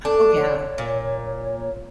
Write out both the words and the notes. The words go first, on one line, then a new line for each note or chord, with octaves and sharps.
Oh, yeah.
D4 A4
C#5
A#2